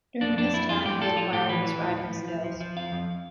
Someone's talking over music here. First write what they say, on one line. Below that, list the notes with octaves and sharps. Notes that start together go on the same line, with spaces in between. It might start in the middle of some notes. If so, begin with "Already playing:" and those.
During this time he acquired his writing skills.
F2 D4
F2 D4
F2 E4
F2 F4
A2 G4
F3 A4
F3 F4
A2 G4
E3 B4
E3
A2
A2
F3
F3
F3
F3
F2 F5
F2